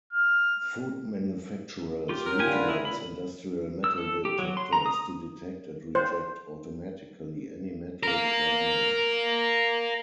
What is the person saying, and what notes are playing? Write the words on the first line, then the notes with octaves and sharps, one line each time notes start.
Food manufacturers utilize industrial metal detectors to detect and reject automatically any metal fragment.
F6
F4 G4
F#3 A#4
D3 F4 G4 G#5
B4
E4 G#4
A#2 B5
E6
A4
G4
F#3
C6
A#5
D#6
C5
A#4 F5